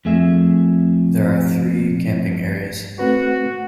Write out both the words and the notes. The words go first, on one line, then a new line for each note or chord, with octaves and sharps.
There are three camping areas.
F2 A3 G#4 E5
A3 C4 F#4 B4